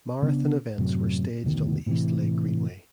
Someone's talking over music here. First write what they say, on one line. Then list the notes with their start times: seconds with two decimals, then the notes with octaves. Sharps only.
Marathon events were staged on the East Lake Greenway.
0.22 C#3 B3 C4 D4
0.78 F#2 A2 C3 F#3
1.44 F1 D2 B2 D#3
1.86 A2 C3 E3